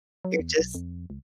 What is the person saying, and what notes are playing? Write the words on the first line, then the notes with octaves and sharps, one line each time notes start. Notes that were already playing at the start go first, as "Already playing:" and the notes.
you're just
F#3
E2
B1
F2
C#2